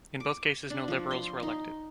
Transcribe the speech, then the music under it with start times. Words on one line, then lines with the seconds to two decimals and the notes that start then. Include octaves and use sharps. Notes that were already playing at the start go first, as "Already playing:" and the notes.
In both cases no Liberals were elected.
0.20 D6
0.70 D4
0.88 F3
1.11 C6
1.43 D#4